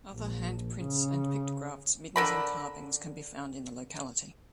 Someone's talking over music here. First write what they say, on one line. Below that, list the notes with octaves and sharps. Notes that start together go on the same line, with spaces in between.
Other hand prints, and pictographs, middens and carvings can be found in the locality.
A#1
C#3
D3 A#4 B5